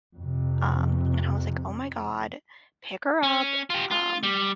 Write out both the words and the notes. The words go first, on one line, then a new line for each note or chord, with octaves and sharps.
um, and I was, like, "Oh my god, pick her up," um
F2 C3
C#4
F4 G4
F4
G3